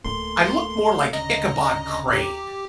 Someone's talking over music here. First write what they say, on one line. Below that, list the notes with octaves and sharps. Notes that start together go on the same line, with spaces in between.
I looked more like Ichabod Crane
D1 A3 A#3 C6
D2 C#3 D#5 A#5
G4